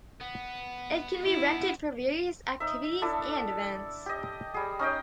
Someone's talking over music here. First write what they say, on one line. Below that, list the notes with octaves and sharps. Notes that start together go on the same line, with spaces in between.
It can be rented for various activities and events.
B3
E4
D#4 E5
D4 E4 A4 D5
G4 D#5
G3 G#4
C#4 D#4 D#5 G5